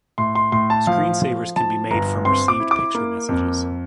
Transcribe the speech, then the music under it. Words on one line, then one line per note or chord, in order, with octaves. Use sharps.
Screensavers can be made from received picture messages.
A2 C6
C6
A2 C6
A5
F3 F5
F3
F3 A5
G1 A#5
C4 C6
D6
E4
D6
A#3
F2